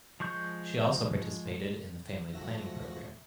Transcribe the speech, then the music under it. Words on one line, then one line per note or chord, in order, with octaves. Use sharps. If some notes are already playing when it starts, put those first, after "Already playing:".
She also participated in the family planning program.
F3 G#3 C#6 G6
F2 G#2 D#3 F3 A3 F#4 E5 A#6